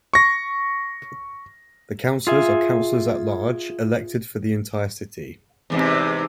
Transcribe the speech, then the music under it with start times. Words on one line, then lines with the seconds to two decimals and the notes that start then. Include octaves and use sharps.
The councillors are councilors-at-large elected for the entire city.
0.14 C#6 A#6
2.27 F4 G#4 E5
5.70 E2 G#2 C3